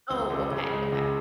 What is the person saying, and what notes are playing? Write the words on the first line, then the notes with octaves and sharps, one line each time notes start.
Oh, okay, okay,
C#2
C#2
C#3
G#3
C#2